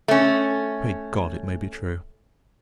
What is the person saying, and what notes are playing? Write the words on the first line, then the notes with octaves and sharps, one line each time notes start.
Pray God, it may be true!
A3 C#4